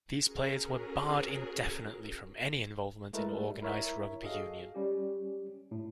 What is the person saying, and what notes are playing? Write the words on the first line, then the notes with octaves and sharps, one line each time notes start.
These players were barred indefinitely from any involvement in organised rugby union.
C#4 F#4 G#4 A#4
G#3 A3 E4 A#4 B4
G3 A3
E4 A#4 C#5 E5
F#4 G#4 A4 D#5 F5
G3 C#4 G4
A2